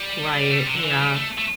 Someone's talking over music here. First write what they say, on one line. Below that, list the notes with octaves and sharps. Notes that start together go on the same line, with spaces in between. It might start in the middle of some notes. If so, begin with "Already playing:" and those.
Right, yeah.
Already playing: G3
A3
G3
C3
D3
E3
G3
A3
A3